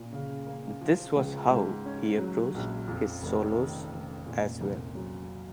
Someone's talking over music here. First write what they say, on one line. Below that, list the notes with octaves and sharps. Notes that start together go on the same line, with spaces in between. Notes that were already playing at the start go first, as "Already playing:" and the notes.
This was how he approached his solos as well.
Already playing: A#2
C#3
A#3
F3
C#2
G#2
C#4
F#3
A#1
F2
F1
D#3
F1
A#2
C2
F#3